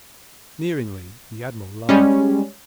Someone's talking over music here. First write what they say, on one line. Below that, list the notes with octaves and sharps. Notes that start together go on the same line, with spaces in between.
Sneeringly the Admiral laughed.
G3 G#3 C#4